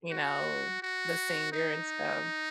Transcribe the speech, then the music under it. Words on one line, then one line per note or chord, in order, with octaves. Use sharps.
you know, the singer and stuff.
F#4
F#4
D#4